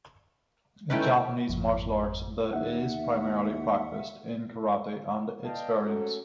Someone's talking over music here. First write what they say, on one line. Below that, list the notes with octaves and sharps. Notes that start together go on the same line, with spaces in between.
In Japanese martial arts, the is primarily practiced in karate and its variants.
A3 C#4 D#4 E4 B4 G5
G#1 F2
D#2 E5 F#5
B4 D5 D#5 F5 G5 A5
F#3 A3 C#4 A4